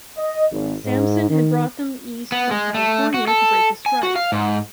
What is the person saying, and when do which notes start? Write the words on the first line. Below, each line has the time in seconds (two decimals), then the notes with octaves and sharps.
Sampson had brought them east from California to break a strike.
0.17 D#5
0.52 G#1
0.86 G#2
1.30 D#3
2.32 B3
2.51 G#3
2.74 A3
3.14 F#4
3.28 A4
3.86 G#5
4.03 F#4
4.16 F5
4.32 G#2